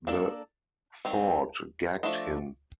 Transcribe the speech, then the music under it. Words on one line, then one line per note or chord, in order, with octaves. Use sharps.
The thought gagged him.
A#3 D4 A4 D5
D#3 G3 C4
F3 A3 D4 A4 D#5